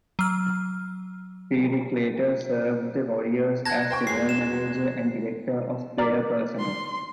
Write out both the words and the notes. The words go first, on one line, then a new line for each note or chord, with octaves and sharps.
Feerick later served the Warriors as general manager and director of player personnel.
F#3 F6
F#5 A5 F#6 G#6 A#6
C5 G5 C#6
E2 G#3 G#6 C7
E7
A#4 D5
C6